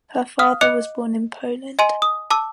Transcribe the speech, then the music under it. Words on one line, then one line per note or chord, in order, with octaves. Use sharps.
Her father was born in Poland.
F5 D#6 F6
D#5 D6 F#6 C#7 F7
D#5 G#5 C6 D#7
D#6
A5 D6 E6